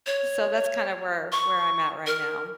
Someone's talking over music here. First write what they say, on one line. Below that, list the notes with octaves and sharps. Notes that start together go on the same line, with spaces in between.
So, that's kinda where where I'm at right now.
C#5
C#6
A#4